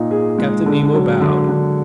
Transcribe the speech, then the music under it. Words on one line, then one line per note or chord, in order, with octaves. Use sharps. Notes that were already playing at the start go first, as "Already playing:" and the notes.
Captain Nemo bowed.
Already playing: A#2 D#4
G#4
G#3
D3
F#3
D3
D3